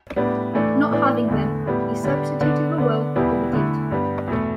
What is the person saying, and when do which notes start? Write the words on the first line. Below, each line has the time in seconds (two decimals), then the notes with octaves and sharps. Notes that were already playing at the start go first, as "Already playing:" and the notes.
Not having them, he substituted the will for the deed.
0.16 A2 G3 B3 D4
0.54 A2 E3 A3 D4
0.91 A2 E3 B3 D4
1.28 E2 D3 A3
1.66 A2 G3 B3
2.04 D3 G3 B3 D4
2.41 D3 B3 D4
2.78 D3 B3 D4
3.16 E2 B2 G3 B3 E4
3.53 D3 A3 E4
3.91 G2 G3 B3
4.28 E2 B2 A3